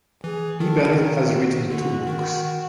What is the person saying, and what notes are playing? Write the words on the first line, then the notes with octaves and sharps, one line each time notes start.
Eban has written two books.
E3 G#4
D#3 A4
A#4
F#4
D3 F#4
D#3